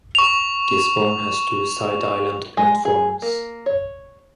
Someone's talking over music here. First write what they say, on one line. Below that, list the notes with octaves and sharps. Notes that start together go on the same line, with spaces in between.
Gisborne has two side island platforms.
C#6 F7
G#3
G#4
A#3
C#5